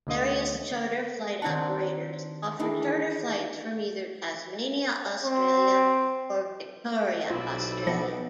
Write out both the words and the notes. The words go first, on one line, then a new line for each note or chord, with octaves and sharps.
Various charter flight operators offer charter flights from either Tasmania, Australia or Victoria, Australia.
D2 D3 D#5
D#3 C4 D4 D#4 F#5 A5
D#3 E3 D4 G#4
C4
B1 G3 C4 E4 F4
F3 B3 A#6 C#7